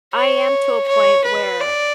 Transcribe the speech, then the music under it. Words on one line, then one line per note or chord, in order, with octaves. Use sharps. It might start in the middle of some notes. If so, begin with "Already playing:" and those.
I am to a point where
C#5
C#5
B4
D5